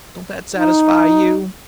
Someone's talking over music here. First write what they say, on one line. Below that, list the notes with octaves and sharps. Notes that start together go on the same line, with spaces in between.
Don't that satisfy you?
D#4